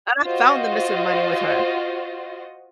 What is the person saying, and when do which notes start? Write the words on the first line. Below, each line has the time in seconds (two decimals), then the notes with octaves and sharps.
And I found the missing money with her.
0.25 F4 F#4 C5 D#5